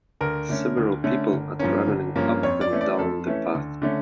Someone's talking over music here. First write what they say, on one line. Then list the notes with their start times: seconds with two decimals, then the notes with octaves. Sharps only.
Several people are travelling up and down the path.
0.21 D2 A#4
0.49 D3 A3 C#4
0.77 D2
1.04 D3 A3 C#4
1.32 G1
1.59 G2 F3 A#3 C#4
1.87 G1
2.16 G2 F3 A#3 C#4
2.43 F2 C#5
2.61 D5
2.71 E3 A3 C#4
2.81 D5
2.99 F2 A4
3.27 E3 A3 C#4
3.54 D2
3.82 D3 A3 C#4